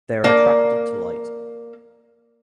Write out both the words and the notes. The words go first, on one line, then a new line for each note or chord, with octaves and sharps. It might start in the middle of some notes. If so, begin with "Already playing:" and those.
They are attracted to light.
A#3 D5